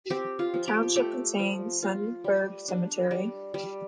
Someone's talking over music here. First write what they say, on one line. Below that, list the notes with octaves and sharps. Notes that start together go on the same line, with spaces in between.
The township contains Sundberg Cemetery.
C4 G4
F4
F3
G4
A3 G4
F3
F4
G3
D4
G3
G3